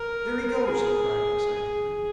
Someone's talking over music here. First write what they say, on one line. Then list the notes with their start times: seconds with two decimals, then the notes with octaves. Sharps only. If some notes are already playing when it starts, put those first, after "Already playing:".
"There he goes!" he cried excitedly.
Already playing: A#4
0.66 G#4
1.55 G#4